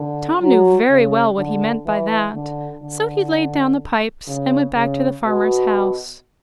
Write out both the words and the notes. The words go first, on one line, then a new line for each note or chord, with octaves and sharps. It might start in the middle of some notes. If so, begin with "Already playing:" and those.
Tom knew very well what he meant by that, so he laid down the pipes, and went back to the farmer's house.
Already playing: D3
F#3
C#3
D3
E3
D3
D3
C#3
C#3
B2